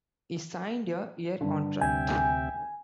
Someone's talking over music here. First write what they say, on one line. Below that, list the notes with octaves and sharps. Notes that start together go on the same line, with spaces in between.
He signed a -year contract.
G2 D3
D2 C3 E5 G5 G#5